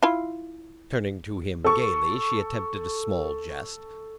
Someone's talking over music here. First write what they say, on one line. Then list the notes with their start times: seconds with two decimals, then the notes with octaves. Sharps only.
Turning to him gaily, she attempted a small jest.
0.03 E4 F4
1.64 A4 C#6